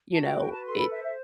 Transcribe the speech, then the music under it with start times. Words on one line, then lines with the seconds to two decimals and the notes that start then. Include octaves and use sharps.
you know, it
0.13 F#4 A5
0.26 G5
0.39 B4 G5
0.51 A5
0.64 A4 C6
0.77 B5
0.90 C5 E5
1.03 E5